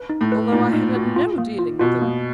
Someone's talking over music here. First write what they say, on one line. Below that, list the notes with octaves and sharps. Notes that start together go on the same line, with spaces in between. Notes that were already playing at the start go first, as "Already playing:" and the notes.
Although I have had no dealing with them.
Already playing: B4
D#4
A2
B4
A#2 D#4
D#4
F#4
F4
A#3
F4
B2 F4
A#3